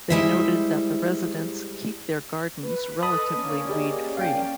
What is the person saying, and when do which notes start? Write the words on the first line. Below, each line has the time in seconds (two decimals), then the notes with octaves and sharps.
They noted that the residents keep their gardens relatively weed-free.
0.10 G3 G#3 E4 C5 E5
2.63 B4
3.02 A4 B4 D#5 A5 B5 D#6
3.35 A#3 C#4 D5
3.69 G4 G#4 D#5
4.17 F5 G5